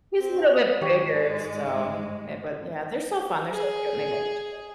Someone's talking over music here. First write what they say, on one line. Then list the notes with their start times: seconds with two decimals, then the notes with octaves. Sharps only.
he's a little bit bigger, so, yeah, but, yeah, they're so fun, they're so cute, and they love each other.
0.17 C4
0.81 G#2 D#3 G#3 G4 C#5
3.52 G#4